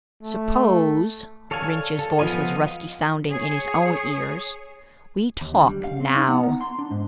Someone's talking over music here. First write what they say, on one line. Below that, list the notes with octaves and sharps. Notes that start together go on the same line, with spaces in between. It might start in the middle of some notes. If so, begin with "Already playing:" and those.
"Suppose," Rynch's voice was rusty sounding in his own ears, "we talk now."
A3
A4 C#5 D5 F5 G#5
A4
F3 B3 F4 D#5 G#5
G#4 C#5
D#2
D4
G3
F5
C4
D#4
B3
A#5
C6
D4
G#2